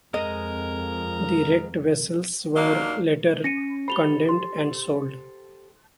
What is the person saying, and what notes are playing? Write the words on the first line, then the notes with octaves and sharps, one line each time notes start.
The wrecked vessels were later condemned and sold.
F2 G#3 A#4 D#5
D#2 F#3 A#3 D4 D#4 F5
C#4 A#6 C#7 D#7
G4 A4 C5 B5 F7 G7
C6